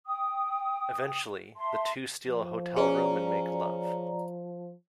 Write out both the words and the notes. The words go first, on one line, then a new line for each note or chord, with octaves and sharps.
Eventually, the two steal a hotel room and make love.
G5 D#6
E5 A5 C6
F3
C#4 G#4 D5 A#5